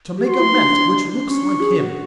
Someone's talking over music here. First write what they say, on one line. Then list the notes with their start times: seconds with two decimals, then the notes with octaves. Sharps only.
To make a mask which looks like him!
0.17 G4
0.27 F#4 C6
0.40 E4
0.52 D#4
0.65 D4
1.27 C#4 C#6
1.44 D4
1.60 G#4
1.77 F#4